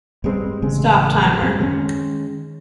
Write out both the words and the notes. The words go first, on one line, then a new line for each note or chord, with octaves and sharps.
Stop timer.
G2 G3 G#3 C4
A1 C#3 G#3 C4
F#2 C4
D#3 G#3 B3 C#4